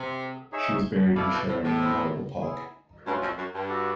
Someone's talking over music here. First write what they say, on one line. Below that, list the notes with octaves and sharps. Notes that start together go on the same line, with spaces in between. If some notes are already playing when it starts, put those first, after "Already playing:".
She was buried in Sharon Memorial Park.
Already playing: C3
D#4 G#4 C#5 E5
B2 E4 A4 D5 F5
B2
A2
A2
E4 A4 C5 D#5
B3 E4 G#4
G2 F#3 A3 C#4 F4
F2
F#2
G2
D4 F#4 A4 D5